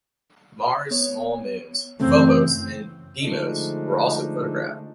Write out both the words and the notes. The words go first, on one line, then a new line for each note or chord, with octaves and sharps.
Mars' small moons, Phobos and Deimos, were also photographed.
B3 C#5
F#2 C#3 E3 A3 C4
D3 F3 G#3 A3 D4 D#4